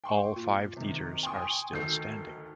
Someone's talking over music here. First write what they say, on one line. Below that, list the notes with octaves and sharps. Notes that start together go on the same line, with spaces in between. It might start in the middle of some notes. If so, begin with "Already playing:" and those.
All five theaters are still standing.
G5 C6 C#6
A#2
C3 D#3
G5 G#5 C6 C#6 D#6
D2 D#3 A4 E6 G6 C7